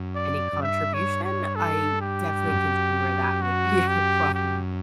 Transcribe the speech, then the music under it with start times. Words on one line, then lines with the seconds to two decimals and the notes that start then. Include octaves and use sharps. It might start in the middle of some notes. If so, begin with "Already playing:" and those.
any contribution, I definitely can see where that would be a problem.
Already playing: F#2
0.16 D5
0.53 F#2
0.62 G2 E5
0.94 C#5
1.24 C#5
1.55 A4
2.01 G4
2.47 F#2
3.42 F#4
3.87 G4
4.34 G4